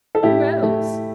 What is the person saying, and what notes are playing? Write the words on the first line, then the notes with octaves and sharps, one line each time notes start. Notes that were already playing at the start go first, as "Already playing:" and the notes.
Who else?
A4
A2 E4 G4
A3